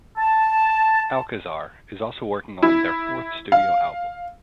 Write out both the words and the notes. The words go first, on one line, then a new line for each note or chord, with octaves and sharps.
Alcazar is also working on a their fourth studio album.
A5
E4
F5